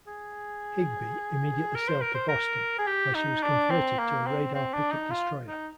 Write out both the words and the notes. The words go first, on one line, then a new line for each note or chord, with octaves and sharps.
"Higbee" immediately sailed to Boston, where she was converted to a radar picket destroyer.
G#4
A#4
C5
A#4
C5
A#4
G#4
G4
D#4
D4
C4
A#3
C4
C4
D4
D#4
F4
D#4